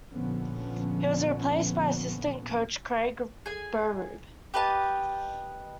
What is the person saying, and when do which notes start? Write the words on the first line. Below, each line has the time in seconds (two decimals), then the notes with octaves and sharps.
He was replaced by Assistant Coach Craig Berube.
0.11 A#1 D3 F3 B3 C#4
3.46 G#4 G#5
4.54 G4 B4 D#5 A5